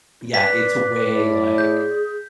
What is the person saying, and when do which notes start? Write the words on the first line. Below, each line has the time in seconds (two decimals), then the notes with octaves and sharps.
Yeah, it's way like
0.34 B4 D5 B6
1.08 A2
1.58 G#4 G6